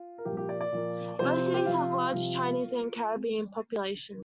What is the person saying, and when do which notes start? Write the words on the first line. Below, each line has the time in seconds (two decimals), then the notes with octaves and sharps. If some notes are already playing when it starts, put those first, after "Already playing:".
Both cities have large Chinese and Caribbean populations.
Already playing: F4
0.18 A#4
0.25 A#2 F3 A#3 G4
0.37 G4
0.49 D5
0.61 D5
0.72 A#2 F3 A#3
1.19 C3 F3 C4 C5
1.54 G4
1.66 C3 F3 C4 F4
2.13 C3 F3